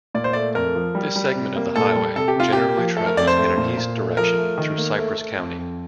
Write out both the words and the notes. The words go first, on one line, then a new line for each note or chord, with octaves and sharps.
This segment of the highway generally travels in an east direction through Cypress County.
A#2 D5
C5
A3 D5
F2 A#4
F3
G3
G3
C3
A#3
A#2 A4
G3
C3 A4
G4
C3 F4
A#3 G4
F3
A3 A4
A#4
F2 D5
C5
A3
A#2
A#2
A3
F3 A#4
A3
D#3
A#3
A3
A3
F2
F2